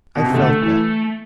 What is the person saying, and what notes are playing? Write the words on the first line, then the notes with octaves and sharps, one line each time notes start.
I felt that.
B2
C3
D3 A3
E3